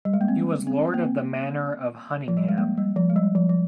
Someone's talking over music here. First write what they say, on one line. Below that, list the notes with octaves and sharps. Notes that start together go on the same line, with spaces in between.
He was Lord of the Manor of Hunningham.
G3
G#3
A#3
C4
C4
A#3
C4
F3
G3
G#3
A#3
G3
F3
G#3
G3
F3
F3